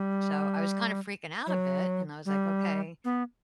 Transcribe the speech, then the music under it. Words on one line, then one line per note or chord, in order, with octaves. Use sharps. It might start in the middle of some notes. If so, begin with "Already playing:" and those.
so I was kind of freaking out a bit, and I was like, "Okay,
Already playing: G3
F#3
G3
B3